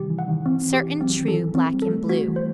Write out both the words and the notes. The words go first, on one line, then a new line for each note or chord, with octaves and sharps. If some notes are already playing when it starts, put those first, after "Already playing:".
Certain, true, Black and blue.
Already playing: C3 D#3 E3 G3 G4
E3
F#5
D#3
E3 C4
E3 G4
F#3 C4
D#3
E3 A4
E3 C4
G3
A4
A3
F#4
E3
C5